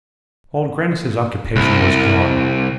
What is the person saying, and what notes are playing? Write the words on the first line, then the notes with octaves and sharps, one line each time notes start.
Old Grannis's occupation was gone.
C2